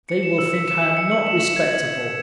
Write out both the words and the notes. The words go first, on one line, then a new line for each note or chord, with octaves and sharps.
They will think I am not respectable.
C#7
E7
E6
B6
E7
E6
C#7
F#7
E7
E7
G#6
G#6